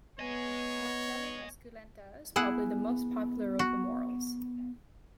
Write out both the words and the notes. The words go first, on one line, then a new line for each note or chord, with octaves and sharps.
"Morchella esculenta" is probably the most popular of the morels.
B3 C#5 D#5 G#5
B3 E4 G#4 F#5
F#4